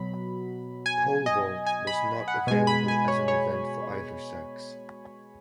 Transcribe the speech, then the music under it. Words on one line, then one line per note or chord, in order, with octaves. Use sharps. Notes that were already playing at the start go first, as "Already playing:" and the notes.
Pole vault was not available as an event for either sex.
Already playing: B2 F#3 B5
G#5
D#5
G#5
B5
F#5
B2 G#3 G#5
B5
G#5
C#5
C#5